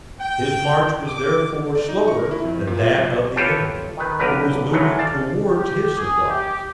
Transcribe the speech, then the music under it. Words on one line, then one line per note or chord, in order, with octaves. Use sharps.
His march was therefore slower than that of the enemy, who was moving towards his supplies.
G5
D6
D5
D#4
C#6
A#4
E4
F2
A#2
F4
B1
F4 G4 A4 B4 C#5 G5
D#3 B4
B1 D3 G4 A#4 B4
C#3 E3 F#3 G#3 A3
D5 F5 A5
G4
G#4
G4